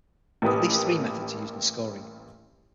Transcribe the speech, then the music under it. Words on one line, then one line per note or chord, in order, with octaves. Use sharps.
At least three methods are used in scoring.
A1 A#3 G4 B4 D#6